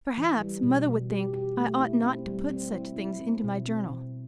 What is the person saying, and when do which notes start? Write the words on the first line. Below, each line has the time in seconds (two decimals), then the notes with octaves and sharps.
Perhaps mother would think I ought not to put such things into my journal.
0.18 E3
0.41 G3
0.63 B2
0.86 B2
1.10 G4
1.33 G4
1.57 A3
1.80 E4
2.03 C4
2.27 G3
2.50 C4
2.73 E4
2.96 E4
3.20 C4
3.44 B2
3.67 C4
3.90 B2